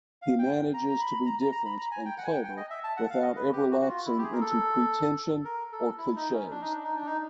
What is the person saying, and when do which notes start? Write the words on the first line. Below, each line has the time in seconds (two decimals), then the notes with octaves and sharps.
He manages to be different and clever without ever lapsing into pretension or cliches.
0.22 F5
0.39 G5
0.74 A#5
0.89 A#5
1.00 B5
1.26 A#5
1.39 A#5
1.52 A#5
1.65 B5
1.79 A#5
1.91 G#5
2.05 G5
2.18 F#5
2.25 G#5
2.31 G5
2.44 G5
2.57 D#5
2.70 E5
2.84 A5
2.97 F#5
3.10 F5
3.22 D#5
3.36 B4
3.53 G4
3.71 F#4
3.81 F#4
3.88 F4
4.06 E4
4.18 G4
4.23 G#4
4.33 A#4
4.41 A4
5.45 A#4
5.72 A4
5.98 E4
6.16 D#4
6.33 C#4
6.51 D4
6.62 D#4
6.72 D4
6.84 D#4
6.95 D4
7.06 D#4